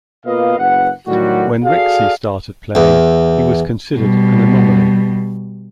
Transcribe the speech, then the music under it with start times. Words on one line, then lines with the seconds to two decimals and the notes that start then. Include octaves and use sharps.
When Rixey started playing, he was considered an "anomaly".
0.25 B2 A#3 F4 B4 D#5 F5
0.59 F#1 F#2 B4 F#5
1.07 A2 D3 D#3 F#3 G3 F#4
1.65 F#4 G#4 A4 D5 F5
2.75 E2
3.96 B2 G3